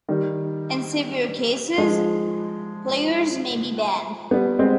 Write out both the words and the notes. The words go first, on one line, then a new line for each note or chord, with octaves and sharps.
In severe cases players may be banned.
D#3 G3
F3 G#3
G3 B3
G#3 C4